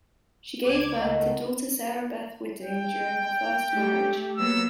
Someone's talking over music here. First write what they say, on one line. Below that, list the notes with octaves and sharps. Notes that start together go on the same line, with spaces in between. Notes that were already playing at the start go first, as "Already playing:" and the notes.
She gave birth to daughter Sarah Beth Whiting during her first marriage.
C#2 D6 G#6
C#2 D#3 A3 D#5 F#5
G5
A3 G4
F#3 A#3 B3 E6